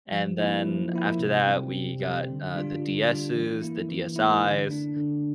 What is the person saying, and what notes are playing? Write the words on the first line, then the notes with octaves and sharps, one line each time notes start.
And then, after that, we got, uh, the DS's, the DSIs,
F3
A#3 E4
F3
A#3 E4
C3
G3 C4
C3
G3 C4
D3
G3 D4 F4
D3
G3 D4 F4
E3
A#3 E4
E3
A#3 E4
D3
A3 D4
D3